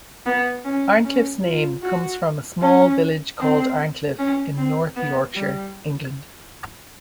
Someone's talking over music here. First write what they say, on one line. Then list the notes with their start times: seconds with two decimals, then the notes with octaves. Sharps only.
Arncliffe's name comes from a small village called Arncliffe in North Yorkshire, England.
0.26 B3
0.65 C#4
1.04 C#4
1.44 F4
1.83 F#4
2.61 C#4
3.40 C4
4.18 C#4
4.57 C4
4.96 B3
5.36 G3